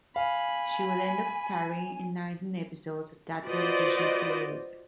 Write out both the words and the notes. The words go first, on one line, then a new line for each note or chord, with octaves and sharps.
She would end up starring in nineteen episodes of that television series.
F5 G#5 B5
F4 F#4 B4 C5 D5 D#5